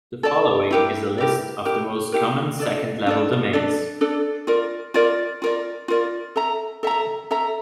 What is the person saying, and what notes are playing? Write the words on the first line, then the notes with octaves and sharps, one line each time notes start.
The following is a list of the most common second-level domains.
A4 D5 A5
E4 G4 A#4
E4 G4 A#4
E4 G4 A#4
E4 G4 A#4
D4 A4 D5
D4 A4 D5
D4 A4 D5
D4 A4 D5
F4 A#4 D5
F4 A#4 D5
F4 A#4 D5
F4 A#4 D5
A4 E5 A#5
A4 E5 A#5
A4 E5 A#5